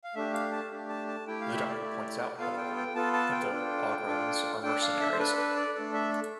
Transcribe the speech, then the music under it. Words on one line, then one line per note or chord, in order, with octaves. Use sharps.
The Doctor points out, however, that the Ogrons are mercenaries.
F5
A3 D4 G4 E5
F5
A5
A3 D4 G4
A5
A5
A3 E4 G4 G5
F5
E5
D5
A3 E4 G4
B3 F4 A4 F5
G5
G5
B3 F4 A4 A5
A5
G5
D4 F4 A4
D4 F4 A4
D4 A4 G5
F5
E5
C5
D4 A4 B4
B4
D5
A3 D4 A4 D5
E5